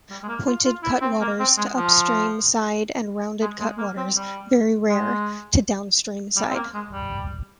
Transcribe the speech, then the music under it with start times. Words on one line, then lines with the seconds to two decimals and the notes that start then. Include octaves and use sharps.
Pointed cutwaters to upstream side and rounded cutwaters, "very rare", to downstream side.
0.10 G3
0.23 G#3
0.28 A#3
0.46 F4
0.65 F4
0.83 E4
1.01 C4
1.21 A#3
1.39 C4
1.57 G#3
1.76 F3
3.42 G#3
3.60 G#3
3.78 A#3
3.97 C4
4.15 G3
4.89 G#3
6.37 G3
6.50 C4
6.55 A#3
6.74 G#3
6.92 G3